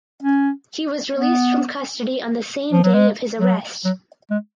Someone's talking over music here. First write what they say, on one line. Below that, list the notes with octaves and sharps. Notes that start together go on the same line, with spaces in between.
He was released from custody on the same day of his arrest.
C#4
B3
F3
F#3
G#3
F#3
F#3
G#3